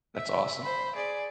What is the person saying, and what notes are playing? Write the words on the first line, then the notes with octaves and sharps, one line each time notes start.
That's awesome.
E5
C5 B5
G#4 D5